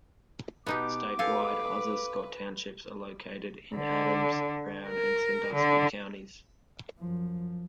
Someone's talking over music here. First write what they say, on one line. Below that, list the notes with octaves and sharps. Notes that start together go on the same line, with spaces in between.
Statewide, other Scott Townships are located in Adams, Brown, and Sandusky counties.
B2 B3 D#4 G4 D6
G4 A4 B4 F5 G#5
D3
A#4
D3
F#2 F3